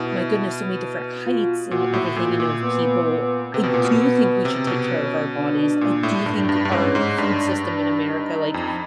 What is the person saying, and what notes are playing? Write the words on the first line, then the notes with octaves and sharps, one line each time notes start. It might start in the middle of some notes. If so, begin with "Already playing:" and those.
my goodness, so many different heights and everything, you know, of people. I do think we should take care of our bodies, I do think our food system in America like,
Already playing: B2 E4
F4
A#2 F#4
A2
A#2 F4
A#2
B3
B3
C3 B3
B2
A#2
B2
C3
B2
C#4
D4
A#2
A2
G2 D4
G2
G2
G#2 C#4
G#2
G2 D4
D4
D#4
F2